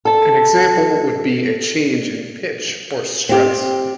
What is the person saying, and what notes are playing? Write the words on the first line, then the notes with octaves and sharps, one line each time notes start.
An example would be a change in pitch or stress.
A4 A5
C4 G4